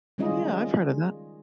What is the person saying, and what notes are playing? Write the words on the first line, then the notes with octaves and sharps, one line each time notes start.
Oh yeah, I've heard of that.
D#3 G3 G#3 C#4 F4 D#5